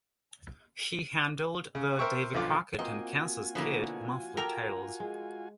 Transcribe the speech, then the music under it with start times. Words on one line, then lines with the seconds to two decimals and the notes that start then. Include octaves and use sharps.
He handled the "Davy Crockett" and "Kansas Kid" monthly titles.
1.75 C#3
1.99 A#4 C5 E5 G5 C#6
2.34 B1 D3 F3 F4 D6
2.79 A#3 C4 F4 F#4 C5 D#5 G#5
3.55 B2 D3 F3 A#3 E4
4.37 G4 A4 A#4 G5 A#5
5.00 G#3